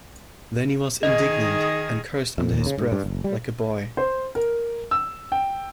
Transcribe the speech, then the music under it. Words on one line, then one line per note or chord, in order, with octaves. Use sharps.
Then he was indignant, and cursed under his breath, like a boy.
D#3 D#4 G#4 D#5
F2
D#2
C#3
G#2
G2
F#1
G3
C5
A#4
E6
G5